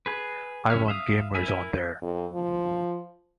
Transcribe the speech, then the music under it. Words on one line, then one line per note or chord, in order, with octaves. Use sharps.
I want gamers on there.
G#4 B4
C#4 C#5 E5 F6
E5 F5 D#6
E4 A#4 E5 G#5
F2
F3